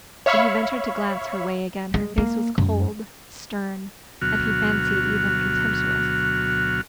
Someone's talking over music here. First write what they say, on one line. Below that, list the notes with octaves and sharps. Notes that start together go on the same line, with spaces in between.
When he ventured to glance her way again her face was cold, stern, and he fancied even contemptuous.
C#5 E5 F5 B5 C#6
G#3
A#3
F#2
D2 B2 F#3 F#4 F6